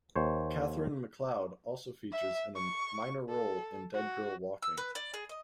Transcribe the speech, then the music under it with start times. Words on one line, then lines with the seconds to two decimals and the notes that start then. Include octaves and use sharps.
Catherine McLeod also features in a minor role in "Dead Girl Walking".
0.16 D#2 C5 C#5
2.12 E5
2.56 C#6
3.29 A4
3.95 F#4
4.62 E6
4.78 B4
4.95 D5
5.14 G#4
5.29 D#5